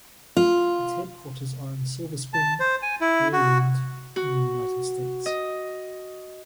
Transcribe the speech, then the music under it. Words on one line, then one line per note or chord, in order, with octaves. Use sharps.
Its headquarters are in Silver Spring, Maryland in the United States.
F4
A5
C5
G#5
E4
F#4
F#4
D#5